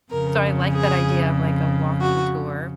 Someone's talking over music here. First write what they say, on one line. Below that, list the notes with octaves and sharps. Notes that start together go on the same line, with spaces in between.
So I like that idea of, like, a walking tour
F2 C#3 A#4
G#4
F#4